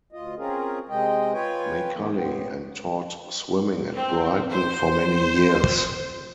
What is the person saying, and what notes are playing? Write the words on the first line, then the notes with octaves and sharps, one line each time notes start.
Maculley and taught swimming at Brighton for many years.
D2 F4 D#5
C4 C#4 F4 G#4 A#4
C3 G#3 C4 D#5 G5
F4 B4 C#5 G5 G#5
D3 E3 A#3 B3
A2 B3 C4
C4
C5